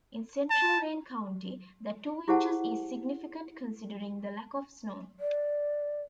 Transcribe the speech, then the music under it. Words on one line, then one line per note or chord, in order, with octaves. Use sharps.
In central Lane County, that two inches is significant considering the lack of snow.
A5
E4 G4 G#4 C5 F#5 A5
D5